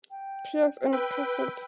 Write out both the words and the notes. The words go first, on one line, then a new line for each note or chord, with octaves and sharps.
Pierce and Cassatt.
G5
B4 G5 E6